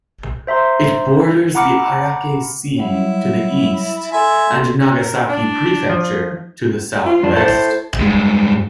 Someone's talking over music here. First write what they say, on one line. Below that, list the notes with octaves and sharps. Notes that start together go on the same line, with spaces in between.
It borders the Ariake Sea to the east and Nagasaki Prefecture to the southwest.
C5 E5 A#5 C6
F#5 A#5 B5 D6 F6 C#7
F#3 G3 E4 C#5
A4 E5 G#5 C6
C#4
A#4
D4
F3
F4
F2 D4
E4 A4 C5
G2 G#3